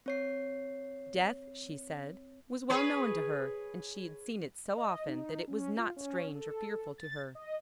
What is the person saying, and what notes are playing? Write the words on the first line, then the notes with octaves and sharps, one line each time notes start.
Death, she said, was well known to her, and she had seen it so often that it was not strange or fearful to her.
C4 C#5 C7
G#4 B4 C#5
D#5
D#4
C#4
F4
C#4
A4
A6
D#5